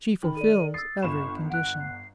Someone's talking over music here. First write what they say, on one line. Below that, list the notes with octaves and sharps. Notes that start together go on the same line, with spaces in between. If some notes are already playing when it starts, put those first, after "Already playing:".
"She fulfils every condition."
D#3 G5 B5
A4 D5 D#7
D#6 E6 A6 C7
G1 B5 C#6 E7
F#5 F#6 D7
C7